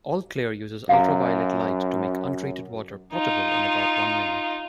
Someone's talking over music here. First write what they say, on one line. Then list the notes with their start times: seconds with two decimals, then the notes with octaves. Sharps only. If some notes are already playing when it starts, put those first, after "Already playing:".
All Clear uses ultraviolet light to make untreated water potable in about one minute.
0.89 F#2 F5 A#5
3.13 D#4 F4